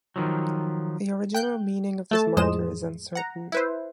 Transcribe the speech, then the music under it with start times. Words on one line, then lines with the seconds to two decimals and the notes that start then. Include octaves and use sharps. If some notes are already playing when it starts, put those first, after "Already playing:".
The original meaning of this marker is uncertain.
0.16 D#3 F3 F#3
1.34 G5 F#6 G6
2.11 A3 A4 A5
2.37 F2 A2 G#3 C5 D#5 E7
3.15 F#5 A#5
3.52 E4 B4 C5